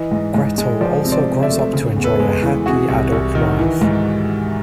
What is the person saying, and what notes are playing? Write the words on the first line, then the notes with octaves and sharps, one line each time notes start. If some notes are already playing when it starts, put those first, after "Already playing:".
Gretel also grows up to enjoy a happy adult life.
Already playing: E3 D#5
G#2
G#2
G#3
F3 C5 D5
C3
C5 D5
C3
D5 E5
A3
C#3
E2
A4 B4
G#3
E3
C3 F#4 G#4
C2
C2
D#3
E3
G#2